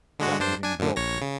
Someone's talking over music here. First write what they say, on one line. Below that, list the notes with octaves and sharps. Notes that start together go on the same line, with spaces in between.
That made him guilty.
D3 G#3 F#4
G2 D4 C5
D4 G#5
F#2 D3
A#1 C#5 A#6
C#3